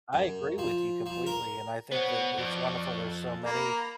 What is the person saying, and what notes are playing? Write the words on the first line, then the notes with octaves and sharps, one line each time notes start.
I agree with you completely, and I think that it's wonderful there's so many,
F#2
F3
F3
A#4
B3 F#4 C5 C#5 F#5
F2 D5 C#6
A4
A#3 A#5 B5